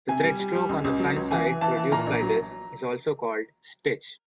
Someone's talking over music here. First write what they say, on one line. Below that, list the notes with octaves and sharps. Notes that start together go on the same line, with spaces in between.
The thread stroke on the front side produced by this is also called "stitch".
C3 G#5
G3
G3
G3
C#2
C#2
F#3
C#2
E3 G#5
E3
E3 A5
E3
A#2 A#5
A#1
F#3